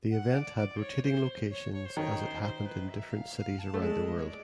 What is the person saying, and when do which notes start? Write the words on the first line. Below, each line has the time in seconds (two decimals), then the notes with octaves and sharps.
The event had rotating locations as it happened in different cities around the world.
0.11 F#5
0.34 D5
0.57 D5
0.76 C5
0.80 C#5
1.03 C5
1.50 C#5
1.73 C#5
1.85 C5
1.96 D#3 C#5
2.19 C5
2.42 C5
2.66 B4
2.89 E5
3.08 E5
3.12 F5
3.35 F5
3.59 A5
3.74 A3
3.82 G#3 A5
4.05 D#5
4.18 C#5
4.28 D5